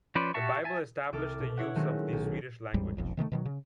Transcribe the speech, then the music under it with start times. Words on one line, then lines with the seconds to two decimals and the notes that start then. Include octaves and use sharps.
The Bible established the use of the Swedish language.
0.15 F3 C#4 B4 C5 D5
0.34 F#4 G4 E5 A5 C#6
0.64 E5 G#5 A5
1.13 C2 A4 D6 F6
1.39 B2
1.57 E4 C#5 F#5
1.75 D#3 F#3 G#3 A3 C4 C#4
2.13 B1
2.74 A1 E2 G#2 G3
2.97 F1 B1 F2
3.17 C3 D#3 F3 A3
3.32 B2 D#3 F#3
3.45 C#3